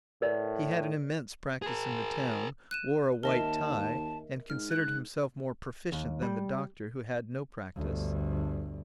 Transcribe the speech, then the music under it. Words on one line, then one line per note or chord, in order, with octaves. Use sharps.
He had an immense practice in the town, wore a white tie, and considered himself more proficient than the doctor, who had no practice.
A2 A#4 B4 D5
G#4 A#4
F#6 D#7 E7
D#2 A#4 D#5 E5 A5
G#2 F6
F#6
D#2
G3
G1 D2